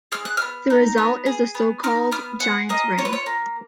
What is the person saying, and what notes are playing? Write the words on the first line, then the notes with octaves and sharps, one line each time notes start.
The result is the so-called Giants' Ring.
G#4 F6
F#6
B3 F6
D#4
B3
G#4
B3
D#4 F6
B3 F6
G#4 F#5
A#3 D#5
F4 C#5
B4
C#5
A#3